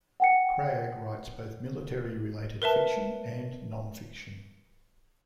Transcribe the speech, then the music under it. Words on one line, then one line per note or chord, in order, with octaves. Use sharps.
Cragg writes both military-related fiction and non-fiction.
F#5 G5 C#7
A#4 B4 E5 A5